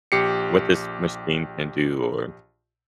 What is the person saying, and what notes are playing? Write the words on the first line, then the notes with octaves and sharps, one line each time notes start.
what this machine can do," or
A#1 G4 C7 C#7